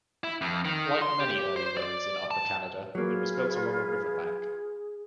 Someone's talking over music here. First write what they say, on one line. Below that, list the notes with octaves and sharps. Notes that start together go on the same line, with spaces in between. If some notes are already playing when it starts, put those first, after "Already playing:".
Like many early roads in Upper Canada, it was built along a river bank.
E4
F2
D#3
C6
G4
C5
D5
A5
F#3 A#3 F4 G#4 B4 G#6